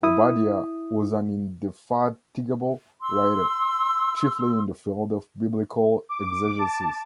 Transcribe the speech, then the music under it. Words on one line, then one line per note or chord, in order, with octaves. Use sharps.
Obadiah was an indefatigable writer, chiefly in the field of Biblical exegesis.
E4 D#6
C6 E6
D6
A5